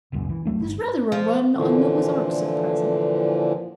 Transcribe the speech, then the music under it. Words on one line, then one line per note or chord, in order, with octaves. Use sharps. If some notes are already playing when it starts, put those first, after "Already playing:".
There's rather a run on Noah's Arks at present.
E1 C#2 F#2 A#2
E3
D2 F#3 A3 D4
G1
F3
A#2 D3 E3 F3